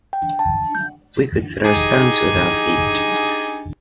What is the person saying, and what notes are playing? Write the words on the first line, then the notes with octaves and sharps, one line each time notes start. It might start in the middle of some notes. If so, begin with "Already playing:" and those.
We could throw stones with our feet.
G5
A5
G6
D#4 G4 G#4 D#5 G#5